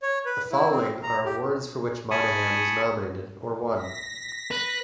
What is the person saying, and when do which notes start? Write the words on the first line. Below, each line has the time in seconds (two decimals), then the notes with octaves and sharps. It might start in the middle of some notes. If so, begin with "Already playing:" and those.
The following are awards for which Monaghan was nominated, or won.
0.02 C#5
0.25 B4
0.52 E4
0.71 C4
1.03 A#5
1.25 G4
2.11 G#5 A5 B5 C#6 D#6
3.74 A#6 B6
4.51 B4